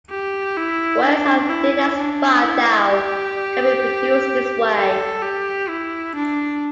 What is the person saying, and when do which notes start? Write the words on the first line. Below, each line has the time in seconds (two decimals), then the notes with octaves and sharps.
Wires as thin as five thou can be produced this way.
0.10 G4
0.57 E4
1.03 D4
1.49 E4
1.97 D4
2.42 E4
2.89 G4
4.76 A4
5.22 G4
5.69 E4
6.15 D4